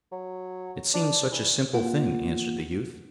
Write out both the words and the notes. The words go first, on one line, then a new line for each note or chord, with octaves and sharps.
"It seems such a simple thing," answered the youth.
F#3
D4
E3
A#3 F4 F#5